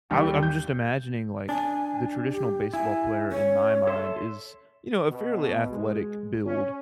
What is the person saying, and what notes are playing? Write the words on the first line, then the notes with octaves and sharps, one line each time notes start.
I'm I'm just imagining, like, the traditional baseball player in my mind is, you know, a fairly athletic build,
D#2 G3 G4
G6
D4 G#5
G4
E4 G#5
C#4 C#5
A4 E5 C6
B2
G#3
C#4